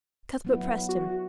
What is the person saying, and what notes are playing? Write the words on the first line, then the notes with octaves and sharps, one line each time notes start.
Cuthbert pressed him.
F#3 B3 E4
F#4